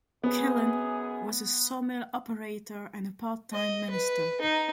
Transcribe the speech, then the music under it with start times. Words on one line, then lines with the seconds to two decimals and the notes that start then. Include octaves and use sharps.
Killen was a sawmill operator and a part-time minister.
0.24 F#2 B3 G#4
3.53 D#5
3.90 B4
4.41 D#4